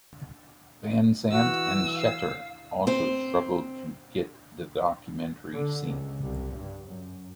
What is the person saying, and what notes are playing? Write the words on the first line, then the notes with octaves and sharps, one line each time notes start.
Van Zandt and Schechter also struggled to get the documentary seen.
E3 F#4 E6
F5
C4 C5
D3
C#2
C2
G2
F#2